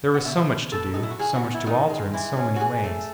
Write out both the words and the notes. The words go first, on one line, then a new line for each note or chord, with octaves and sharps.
There was so much to do; so much to alter in so many ways.
F#5
B2 E5
B3
B2 A4
F#3 D#4
E4
F#4
D#3 G#4
F#4
B3
E4
D#3 D#4
G#3
E3 E4
C#4
F#4
E3 G#4
A3